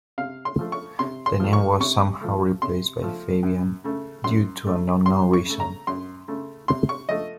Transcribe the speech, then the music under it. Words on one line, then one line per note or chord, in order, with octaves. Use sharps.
The name was somehow replaced by Fabian due to an unknown reason.
C3 F5
C6
F3 A3
C#6
C3 C6
C6
F3 A3
C#6
C3 C#6
F3 A3
C3 C6
F3 A3
F#2
C#3 A3
F#2 C6
C#3 A3
F#2 C6
C#6
C#3 A3
A#5
F#2 C6
C#3 A3
C3 C6
C#6
F3 A3 D#5